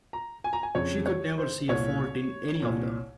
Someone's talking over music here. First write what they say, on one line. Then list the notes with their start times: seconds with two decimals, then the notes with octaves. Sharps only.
She could never see a fault in any of them.
0.13 A#5
0.44 G#5
0.53 A#5
0.63 G#5
0.75 F2 C#3 C#5
1.06 C#5
1.38 C5
1.68 C2 A#2 C#5
2.62 C2 A#2